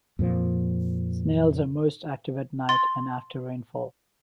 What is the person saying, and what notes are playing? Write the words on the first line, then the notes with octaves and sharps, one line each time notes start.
Snails are most active at night and after rainfall.
F2 A#2 F3
C6 A6